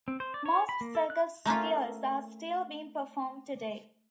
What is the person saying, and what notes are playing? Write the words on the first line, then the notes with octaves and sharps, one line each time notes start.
Most circus skills are still being performed today.
C4
C5
D5
C#5
B5
A#3
A4
F#6
A3 A#3 C#4 F4